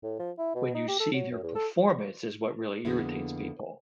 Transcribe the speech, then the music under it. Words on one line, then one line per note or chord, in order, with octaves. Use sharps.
when you see their performance is what really irritates people.
A2
F3
E4
B2
D#4
G4
A4
F#3
F#2
E2
A4
F2 D3 G#3 A#3 B3 E4